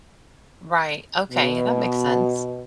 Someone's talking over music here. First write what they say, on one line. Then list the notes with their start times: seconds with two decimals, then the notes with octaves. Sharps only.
Right. Okay, that makes sense.
1.32 B2